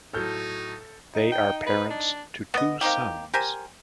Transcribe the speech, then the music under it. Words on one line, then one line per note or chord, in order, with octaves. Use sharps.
They are parents to two sons.
A2 F#3 D#4 A4 F6 G6
D#4
G5
B4
D4
B3 D#5
A#3 C4 D#4 G4
G4 A#4 C5 G#5